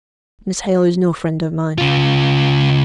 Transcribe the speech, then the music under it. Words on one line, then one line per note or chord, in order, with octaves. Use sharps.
'Miss Hale is no friend of mine.
C#3 F4